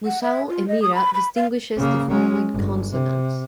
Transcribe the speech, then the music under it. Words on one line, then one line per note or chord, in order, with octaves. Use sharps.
Mussau-Emira distinguishes the following consonants.
F#5
E5
F4
D#5
D#6
B5
B5
F5
C#3 A#3
G#3 C#4
G1
C3